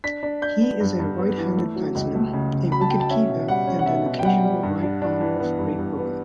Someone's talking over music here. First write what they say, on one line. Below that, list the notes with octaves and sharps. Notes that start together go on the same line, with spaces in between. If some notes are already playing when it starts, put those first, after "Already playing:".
He is a right-handed batsman, a wicketkeeper and an occasional right-arm offbreak bowler.
D4 B6
D4
D4 G6
B3
G2
G2
B3
E3
A3
F#3
C#2
A3
C#3
C#3
F#3 B5
A5
F#3 G5
A5
C#4 E5
B2
G3 F#5
C#4
F#5
B2 E5
B2
G5
G3 F#5
G3
G2
D4
D4
E3
B3
G2
G2
B3